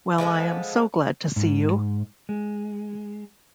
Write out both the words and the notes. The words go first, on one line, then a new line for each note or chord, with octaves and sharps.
Well, I am so glad to see you.
F3 G#3 B3 A4
G#2
G#3